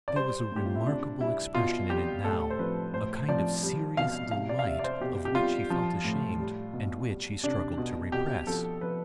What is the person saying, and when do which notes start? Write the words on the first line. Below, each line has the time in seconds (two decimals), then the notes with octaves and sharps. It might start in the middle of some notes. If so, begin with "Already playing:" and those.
There was a remarkable expression in it now; a kind of serious delight of which he felt ashamed, and which he struggled to repress.
0.08 D5
0.16 G3 C5
0.52 A2 G4
0.65 F4
0.76 E4
0.85 C3 D4
1.21 G3 E4
1.55 B2 F4
1.90 G3 G4
2.24 A2 A4
2.50 C5
2.59 F3 B4
2.93 A2 C5
3.29 F3 D5
3.63 G3
3.97 B2 F5
4.31 C3 F5
4.49 D5
4.59 F5
4.66 C3 E5
4.79 D5
4.84 C5
5.00 B2 G4
5.25 G4
5.35 G3 F4
5.70 F3
6.04 A2
6.39 G3
6.73 B2
7.09 G3
7.44 C3 D4
7.77 B2
8.12 B2 G4
8.47 F3 A4
8.81 F3 B4